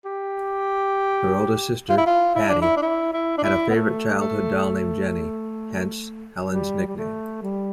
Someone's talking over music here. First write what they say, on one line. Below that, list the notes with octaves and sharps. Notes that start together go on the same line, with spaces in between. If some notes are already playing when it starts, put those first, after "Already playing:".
Her older sister, Pattie, had a favourite childhood doll named Jenny, hence Helen's nickname.
G4
F4
E4
F4
E4
D4
E4
D4
E4
E4
D4
E4
B3
A3
A3
G3
G3
A3
G3